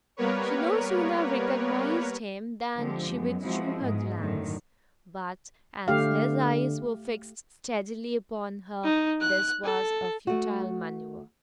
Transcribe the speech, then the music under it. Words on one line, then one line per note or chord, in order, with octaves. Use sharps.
She no sooner recognized him than she withdrew her glance; but as his eyes were fixed steadily upon her this was a futile manoeuvre.
G3 A#3 B3 A#4 B4 C#5
D3 F3 G#3 C4 G4
F#2 G#3 B3
F3 G#3 C4 E4 F#4
G#2 G#3 B3 G#4
F#2 A2 D3 D#3
D3 A3 G4 F5
D#4
F#6
A4
A3 F#4